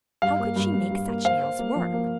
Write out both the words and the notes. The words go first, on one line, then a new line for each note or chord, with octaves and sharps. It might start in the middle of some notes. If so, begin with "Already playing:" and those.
How could she make such nails work?
G2 F5
A#3
G2
G2
G2
A#3
C5 F5
C5
A#3
F3
A#3